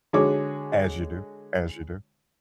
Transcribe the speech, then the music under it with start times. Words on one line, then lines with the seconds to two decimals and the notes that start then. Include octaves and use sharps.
As you do. As you do.
0.13 D3 G#3 F#4 G#4 C#5 D6